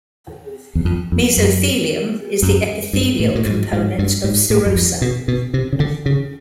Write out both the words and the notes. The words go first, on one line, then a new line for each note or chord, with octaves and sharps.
Mesothelium is the epithelial component of serosa.
E2
F2
F2
F#2
F#2
G2
A2
A2
G#2
G#2
G2
G#2
A2
F#2
F2
B2
B2
C3
C#3
D3
C#3